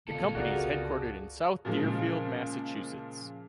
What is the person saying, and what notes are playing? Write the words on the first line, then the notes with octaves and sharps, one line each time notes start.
The company is headquartered in South Deerfield, Massachusetts.
A#2 D3 A#3 F4 A4
G1 C#2 F#4 G#4 A#4 D5
A#2 C#3 F3 G#3